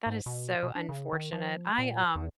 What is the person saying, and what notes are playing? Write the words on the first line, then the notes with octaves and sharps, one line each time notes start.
That is so unfortunate. I, um,
G#2
B2
B2
D4
C#3
D#3
F3
A#2
E2